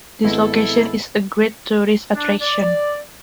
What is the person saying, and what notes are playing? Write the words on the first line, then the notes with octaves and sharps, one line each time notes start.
This location is a great tourist attraction.
G#1 G#3 B3 E4 A4
D4
D5